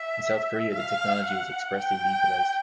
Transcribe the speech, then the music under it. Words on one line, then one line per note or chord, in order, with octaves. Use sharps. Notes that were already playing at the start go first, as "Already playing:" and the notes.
In South Korea, the technology was expressly legalized.
Already playing: E5
F5
F#5
G5